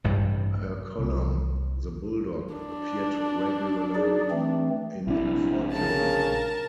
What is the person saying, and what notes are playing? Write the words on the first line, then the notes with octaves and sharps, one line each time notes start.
Her column, "The Bulldog", appeared regularly in "Fortune".
A1 G2 C3 G3
C2
D4
D#4 G#4 D5
E3 A3 C4
A#1 C3 D4 E4
C#3 A#4 A5